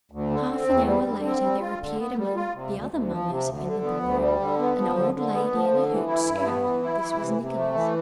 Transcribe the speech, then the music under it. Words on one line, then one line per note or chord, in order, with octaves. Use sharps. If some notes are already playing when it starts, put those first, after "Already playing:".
Half an hour later there appeared among the other mummers in the ballroom an old lady in a hooped skirt--this was Nicholas.
D2
D3
C4
E2
G3
D3
C4
G3
F4
D3
B3
G3
F4
C3
D2
D2
F3
C3
D2
D3
B3
D2
G3
D3
B3
F3
D3
D3
B3
F3
D3
E3
E4
G2
B3
E3
E4
E3
C3
C3
A3
E3